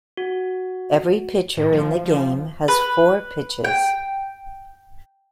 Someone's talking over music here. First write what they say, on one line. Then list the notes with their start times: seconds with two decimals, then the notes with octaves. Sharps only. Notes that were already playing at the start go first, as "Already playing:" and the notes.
Every pitcher in the game has four pitches.
0.17 F#4
1.57 A2
1.73 F3
2.06 F3
2.68 B4
3.64 G5